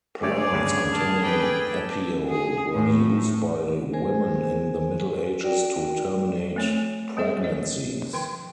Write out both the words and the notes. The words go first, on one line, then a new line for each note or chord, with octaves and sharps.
Plants containing apiole were used by women in the Middle Ages to terminate pregnancies.
D3 G3 A3 G#4 C#5 D5 D6
D2 G2 C#3
A5 F6
A4 B4 G5 A5 D6
G#4
A2
G#4 A#4 C5 G#5
F#4 A#4 D5 G5
A3 C4 C#5
G3 B3 C4 G#4 E5
C#5 D#5
D#3 F3 G5 C6